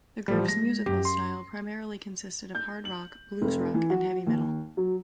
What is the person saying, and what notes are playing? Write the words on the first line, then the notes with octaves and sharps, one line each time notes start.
The groups musical style primarily consisted of hard rock, blues rock and heavy metal.
A1 F3 G3
G#3 A#6
F#2 G4
C6
G6
F#7
F1
E3
F#4
D#2
F#3